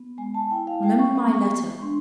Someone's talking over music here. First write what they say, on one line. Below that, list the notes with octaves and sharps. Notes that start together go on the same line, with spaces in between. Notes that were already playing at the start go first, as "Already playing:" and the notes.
Remember my letter.
Already playing: B3
G#3 G#5
A5
E4 G5
F5
G#3 G5
C#6
B3
G#3
D4 C6